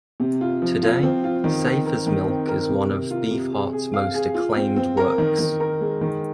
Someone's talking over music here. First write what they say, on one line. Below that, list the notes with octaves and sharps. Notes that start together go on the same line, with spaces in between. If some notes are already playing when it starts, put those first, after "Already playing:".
Today, "Safe as Milk" is one of Beefheart's most acclaimed works.
C3
F4
F3
F4
C4
F4
D#3
C4
A#4
D#3
C4
A#4
C3
C3
F4
C3
G#4
G#4
F5
G#4
F4
C4
C4
A#4
D#3
D#3
A#4
G#3
D#3